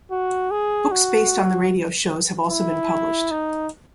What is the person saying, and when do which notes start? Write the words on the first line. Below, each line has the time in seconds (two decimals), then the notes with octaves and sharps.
Books based on the radio shows have also been published.
0.11 F#4
0.51 G#4
0.92 F#4
2.52 E4
3.31 D#4